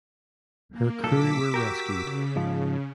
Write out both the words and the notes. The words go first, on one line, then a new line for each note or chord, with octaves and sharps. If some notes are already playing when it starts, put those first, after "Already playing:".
Her crew were rescued.
A#3
B1 A#2 A4 D6 E6 B6
F#4 G4 A#4
C#3
G#2 F3